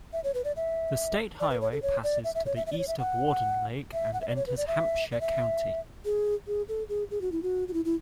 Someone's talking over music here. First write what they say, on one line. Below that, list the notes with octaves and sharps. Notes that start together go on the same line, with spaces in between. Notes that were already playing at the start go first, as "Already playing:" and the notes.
The state highway passes to the east of Warden Lake and enters Hampshire County.
E5
C#5
B4
D5
E5
D5
B4
C#5
A4
C#5
D5
E5
E5
C#5
E5
E5
D5
C#5
E5
F#5
E5
F#5
E5
D5
C#5
B4
D5
E5
D5
E5
G#4
G#4
A4
G#4
G#4
F#4
E4
F#4
F#4
E4
E4